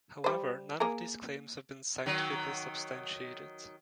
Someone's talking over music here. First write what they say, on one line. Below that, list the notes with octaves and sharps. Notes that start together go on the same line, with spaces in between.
However, none of these claims have been scientifically substantiated.
G3 C5
A#3 G#4 A#4
D#3 F#3